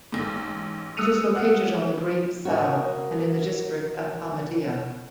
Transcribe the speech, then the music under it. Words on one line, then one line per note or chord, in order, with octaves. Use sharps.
It is located on the Great Zab and in the district of Amadiya.
A1 G#2
D#6 E6 F#6 C#7 D#7 F7
F#5 F6 F#6
F#4 A#4 D#5